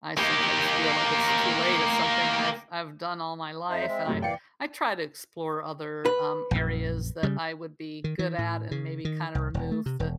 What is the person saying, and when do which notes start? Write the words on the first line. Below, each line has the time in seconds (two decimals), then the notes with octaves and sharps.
I sometimes feel like it's too late. It's something I've I've done all my life, and I I try to explore other, um, areas that I would be good at, and maybe kinda remove the
0.17 A#3 G4
3.69 F2 D#4 C5 E5
3.87 G#3 C4
4.06 F#2 A2 C3
4.22 E3 A#3 D5 F5 G5 C#7
6.06 B4
6.51 A#1 F#2
7.23 C#3 G3
8.04 D#3
8.19 E3
8.38 A2
8.71 C#3
9.05 D#3
9.35 C2
9.54 E1
9.71 A3
9.86 C3
10.00 E1